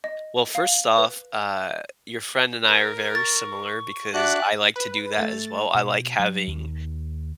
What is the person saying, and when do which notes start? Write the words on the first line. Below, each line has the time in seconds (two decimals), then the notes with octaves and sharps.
Well, first off, uh, your friend and I are very similar because I like to do that as well, I like having
0.04 D#5
0.55 F5
0.98 B4
2.66 A#4
3.15 C#6 A6
4.14 D4 F#4 D5 E5 F#6
4.76 B4
5.18 A3 A6
5.75 B2
6.20 F#3
6.47 D#2